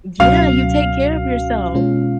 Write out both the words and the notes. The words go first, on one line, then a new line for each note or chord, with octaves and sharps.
D yeah, you take care of yourself.
C#2 B2 F#3 C#4 F#4 F5
B2 G#3 C#4 F4